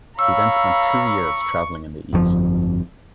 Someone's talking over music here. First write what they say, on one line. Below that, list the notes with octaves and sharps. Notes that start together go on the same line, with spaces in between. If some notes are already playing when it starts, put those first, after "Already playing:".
He then spent two years travelling in the East.
C#5 F5 A#5 B5 C#6 E6
G1 F2 D3 F3